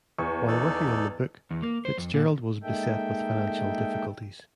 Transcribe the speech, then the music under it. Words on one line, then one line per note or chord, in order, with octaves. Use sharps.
While working on the book, Fitzgerald was beset with financial difficulties.
E2 C#6
D#4 A4 D5
E2
A#3
C5
F2
A#2
G#3 A#3 D#4 A4 E5 G5